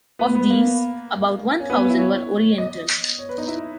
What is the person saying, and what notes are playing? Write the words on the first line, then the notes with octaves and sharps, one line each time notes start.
Of these, about one thousand were Oriental.
B3
B3
A#3
C#4
B3
C#4
E4
C#5
D#5
C#5
B4
D#4
E4